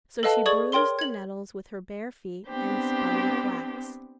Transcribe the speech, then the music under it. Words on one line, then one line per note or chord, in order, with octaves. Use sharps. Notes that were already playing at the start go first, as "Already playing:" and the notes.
So she bruised the nettles with her bare feet and spun the flax.
A4 B4 D#5 F5 A5
G#4 D5 C#6 D#6 G#6 F#7
A#4 C#5 G5 C6 G7
G#6 F#7
B3 C4 D4 G4 C5